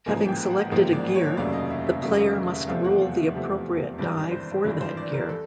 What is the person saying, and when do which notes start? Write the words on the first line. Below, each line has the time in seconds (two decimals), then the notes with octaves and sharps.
Having selected a gear, the player must roll the appropriate die for that gear.
0.06 A1 G#2 F3 A#3 G#5
0.28 G5
0.50 F#5
0.72 A1 G#2 F3 A#3
0.93 D5
1.15 C#5
1.37 F1 D#2 C#3 F#3 A3 D5
1.53 D#5
1.70 E5
1.87 E5
2.02 F1 D#2 C#3 F#3 A3 E5
2.19 D#5
2.35 E5
2.51 E5
2.67 E2 C3 F3 A3 F5
2.84 F#5
3.00 F5
3.17 E5
3.33 E2 C3 F3 A3
3.98 G#1 G2 E3 D5
4.31 C5
4.64 G#1 G2 E3 B4
4.81 C5
4.97 D5
5.13 A#4
5.29 A4